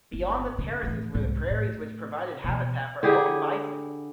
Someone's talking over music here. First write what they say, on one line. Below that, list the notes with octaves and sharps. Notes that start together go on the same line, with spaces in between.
Beyond the terraces were the prairies which provided habitat for elk and bison.
G1
C#3
A2 E3
C2 G#2
A2
B2 E3
D3 E4 G4 G#4